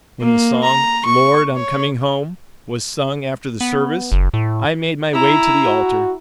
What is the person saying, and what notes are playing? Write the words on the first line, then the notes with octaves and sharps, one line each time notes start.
When the song, "Lord, I'm coming home," was sung after the service I made my way to the altar.
A#3
A#5
C#6
C#5
B3
F#1
A2
E4 A#5
F#4